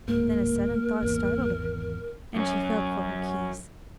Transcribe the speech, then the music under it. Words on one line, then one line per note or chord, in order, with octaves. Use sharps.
Then a sudden thought startled her, and she felt for her keys.
D1 G#2 A#3 A#4
G#1 E2
F#2 C#4